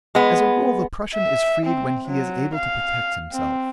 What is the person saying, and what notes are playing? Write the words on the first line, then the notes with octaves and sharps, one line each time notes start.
As a rule, the prushun is freed when he is able to protect himself.
G#3 B3
E5
C4
F#3
F5
C4